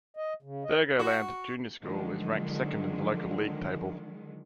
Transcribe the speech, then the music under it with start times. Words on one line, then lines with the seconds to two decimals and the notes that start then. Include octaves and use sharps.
Thurgoland Junior School is ranked second in the local league table.
0.17 D#5
0.43 C#3
0.64 D#5
0.99 F#4
1.82 D3 D#3 F3 F#3 G#3